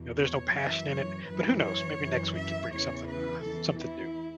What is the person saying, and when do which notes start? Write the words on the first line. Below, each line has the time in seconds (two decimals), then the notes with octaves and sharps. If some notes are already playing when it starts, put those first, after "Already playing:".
you know, there's no passion in it, but who knows, maybe next week could bring something, uh something new,
Already playing: E2 B2
0.21 C#5
0.56 F#2 E3 E5
0.93 C#5
1.28 F#2 E3 B4
1.64 C#5
2.01 F#2 E3
2.36 E5
2.72 E2 C#3 E3 C#5
3.08 B4
3.44 E2 E3 A4
3.80 E4